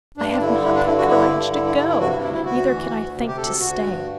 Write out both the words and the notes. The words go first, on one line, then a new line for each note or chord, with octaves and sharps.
I have not the courage to go, neither can I think to stay.
G2 D4
D4
D3 E4
G2 E4
D4
D3 E4
F#4
G2 E4
D3
G2 E4
E4
G2 E4
E4
C3 F#4
E4
D2 E4
E4
D2 F#4
E3
D2
C3
G4
D2 A4
D2 F#4
G2